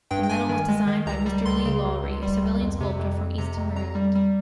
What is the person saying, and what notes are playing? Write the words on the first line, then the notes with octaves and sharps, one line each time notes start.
The medal was designed by Mr. Lee Lawrie, a civilian sculptor from Easton, Maryland.
G2 G5
G5
G2 G#5
D#3
G#3
D#3
C#2 A#5
G3
C#2 C6
C#3
C#2
C#2
G3
C#2
F2
C3
F2
F2
C3 A#5
F2
F2 A#5
G3
G3